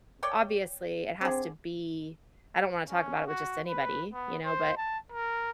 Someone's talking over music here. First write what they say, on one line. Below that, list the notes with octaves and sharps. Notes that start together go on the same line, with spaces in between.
obviously, it has to be I don't wanna talk about it with just anybody, you know? But
C#5 D5 G5
D3 C4 G#4
C#4
F#4
B4
B3
C5
A5
A#4